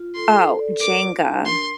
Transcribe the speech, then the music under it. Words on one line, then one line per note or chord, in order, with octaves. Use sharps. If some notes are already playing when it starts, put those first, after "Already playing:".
Oh, Jenga.
Already playing: F4
A4 C6
A4
D5
A#4 D6
F4
D4
A#4 C6